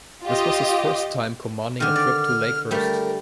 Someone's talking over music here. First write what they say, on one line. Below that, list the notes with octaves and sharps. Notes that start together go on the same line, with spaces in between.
This was his first time commanding a trip to Lakehurst.
F4 G4 D#5
D3 D#3 F6
D5
G3 A3 A#4